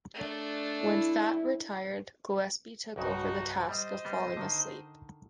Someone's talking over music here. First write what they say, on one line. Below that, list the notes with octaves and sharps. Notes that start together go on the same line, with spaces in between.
When Fatt retired, Gillespie took over the task of falling asleep.
A3 D4
E4
B1 G2 C#3 D#4 F#4
G3 C5 D#5
G3 B3
D3 D#3